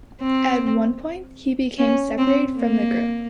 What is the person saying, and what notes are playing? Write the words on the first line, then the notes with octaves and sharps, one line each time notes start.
At one point, he became separated from the group.
C4
C#4
C4
A#3